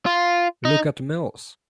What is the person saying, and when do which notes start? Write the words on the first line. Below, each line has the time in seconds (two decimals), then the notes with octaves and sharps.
Look at Mills!
0.06 F4
0.65 D#4